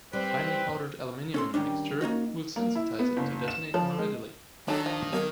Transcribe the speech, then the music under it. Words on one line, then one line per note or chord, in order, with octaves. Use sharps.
Finely powdered aluminium in the mixture will sensitise it to detonate more readily.
G3 C4 B4
C#4 A4 C6
D#3 G3 C#4 D4
A#3 C#4 D#4 F#4
A#3
E4
B3
F#1
E7
F3
G#3
D#3 F#3 D4 A4
F3
B1 A#4